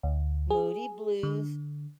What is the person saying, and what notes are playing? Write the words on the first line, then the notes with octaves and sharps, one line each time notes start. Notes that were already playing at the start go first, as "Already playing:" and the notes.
Moody Blues.
D2
G#4
D3